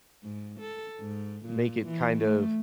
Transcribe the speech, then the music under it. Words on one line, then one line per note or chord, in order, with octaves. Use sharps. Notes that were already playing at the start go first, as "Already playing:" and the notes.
make it kind of
G#2
A4
G#2
A#2
E3
A3